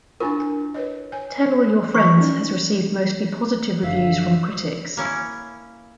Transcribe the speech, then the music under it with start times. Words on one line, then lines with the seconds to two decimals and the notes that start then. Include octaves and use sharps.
"Tell All Your Friends" has received mostly positive reviews from critics.
0.20 D4 E4 F4 A#4 G#5 C#6
0.74 B4 C#5 D#5
1.12 C#5 G#5
1.94 E3 C#6
2.19 C#4 D#4 D5
3.83 F#1 D3 E5 F5
4.97 A#3 C#4 E4